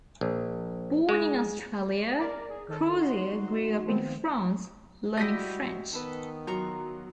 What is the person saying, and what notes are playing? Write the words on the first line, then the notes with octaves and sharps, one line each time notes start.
Born in Australia, Crozier grew up in France, learning French.
A#1
G#3
A#4 D5
G#4
D#3 A4
D#4 F#4 C6
D#3 F3 B3 C4
G3 E4 F#4 G4 D#5 A#6 B6
D#3 B3 A4 B4
F#3 F4 A#5 C#6